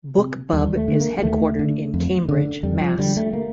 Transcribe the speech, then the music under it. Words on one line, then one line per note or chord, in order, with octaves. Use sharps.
BookBub is headquartered in Cambridge, Mass.
C3
D#2 G3
A3
D3
A#3
G3
D#2 A3
D3
F2
D3
F2 G3
F3
D3 G3
A3
A#3